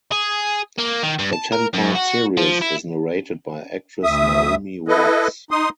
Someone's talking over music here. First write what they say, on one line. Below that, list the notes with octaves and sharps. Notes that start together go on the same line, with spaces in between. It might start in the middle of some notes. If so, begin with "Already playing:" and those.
The ten part series is narrated by actress Naomi Watts.
G#4
A#3
D#3
G2
A5
A#4
F#2
F#4
F3
E4
D2 E5 D#6
E4 A4 B4 D#5
D#4 C6 D#6